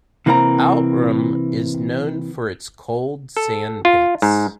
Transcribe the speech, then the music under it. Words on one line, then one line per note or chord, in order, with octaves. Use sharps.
Outram is known for its cold sandpits.
C3 E3 A#3 C4 F5 A#5
A4
F4
G#2